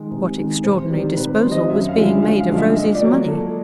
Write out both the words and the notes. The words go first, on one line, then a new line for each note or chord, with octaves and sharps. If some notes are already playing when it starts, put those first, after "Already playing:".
What extraordinary disposal was being made of Rosy's money?
Already playing: D#3 G#3
C3
D#3 G#3
C3 C5
D#3 G3
C3 B4
C5
D#3 G3
D#5
F#2 E5
F5
D3 F3 G#3 E5
F#2 F5
F5
D3 F3 G#3
E5
A#2 D#5
D5
F#3 A#3 C#5
A#2 A4